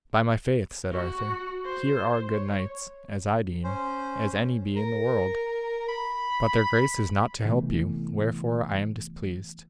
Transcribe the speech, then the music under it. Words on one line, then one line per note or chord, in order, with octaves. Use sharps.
By my faith, said Arthur, here are good knights, as I deem, as any be in the world, but their grace is not to help you, wherefore I am displeased.
F#4
C5
C#5
C#4 C5
A#4
B5
C3 E3 A3 B3